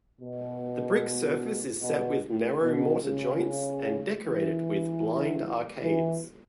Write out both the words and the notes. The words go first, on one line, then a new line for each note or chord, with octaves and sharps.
The brick surface is set with narrow mortar joints and decorated with blind arcades.
B2
B2
B2
C#3
E3
E3